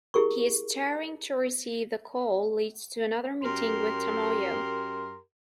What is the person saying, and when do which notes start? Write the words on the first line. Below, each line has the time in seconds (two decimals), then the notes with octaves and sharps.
His tarrying to receive the call leads to another meeting with Tomoyo.
0.14 E4 G4 G#4 A#4 C#6
3.43 F#2 G4 A#4 C6